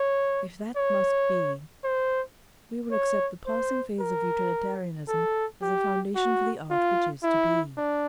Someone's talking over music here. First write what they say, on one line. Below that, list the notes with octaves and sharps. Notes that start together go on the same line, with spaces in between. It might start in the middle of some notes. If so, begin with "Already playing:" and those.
If that must be, we will accept the passing phase of utilitarianism as a foundation for the art which is to be.
Already playing: C#5
C#5
C5
C#5
C5
A#4
A4
G4
F#4
F4
E4
D4